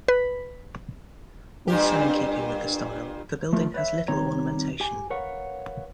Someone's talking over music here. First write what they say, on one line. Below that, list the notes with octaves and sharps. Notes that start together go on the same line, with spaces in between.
Also in keeping with the style, the building has little ornamentation.
B4
G2 A#2 G4
F3 A3 F4 A#4
B4 C#5 D5 E5
D#3 G3 C4 D#4 C#5 A#5
G4 G#5
A#4 B4 C#5 F5 F#5